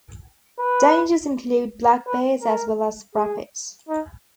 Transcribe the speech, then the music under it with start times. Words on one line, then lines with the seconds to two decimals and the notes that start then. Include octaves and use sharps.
Dangers include black bears as well as rapids.
0.59 B4
2.06 B4
2.42 A#4
3.15 G#4
3.89 D#4